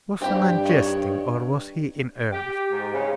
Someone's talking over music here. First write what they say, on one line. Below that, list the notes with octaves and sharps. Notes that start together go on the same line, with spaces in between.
Was the man jesting, or was he in earnest?
G2 C4 G4 B5
D#3 C#5
G4
G#2
C#3